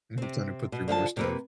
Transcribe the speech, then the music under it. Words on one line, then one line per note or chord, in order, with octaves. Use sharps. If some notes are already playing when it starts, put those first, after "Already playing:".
Mhm. Time to put through more stuff.
C3 C4
B2
D3 F3 E5 A5
C3 A#3 B4